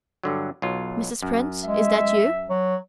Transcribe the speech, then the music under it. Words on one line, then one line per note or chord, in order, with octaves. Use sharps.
"Mrs. Prince, is that you?"
G2 D3 F#3
B1 F#3 F4
F#2
G#3 E5
F#3